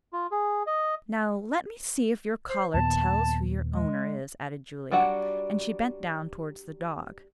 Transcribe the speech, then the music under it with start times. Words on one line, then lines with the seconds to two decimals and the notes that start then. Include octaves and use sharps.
"Now let me see if your collar tells who your owner is," added Julia, and she bent down towards the dog.
0.13 F4
0.31 G#4
0.67 D#5
2.49 C5
2.74 D#2 A#2 B3 A5
3.69 G#3
4.91 F#3 G3 D4 F#4 F#5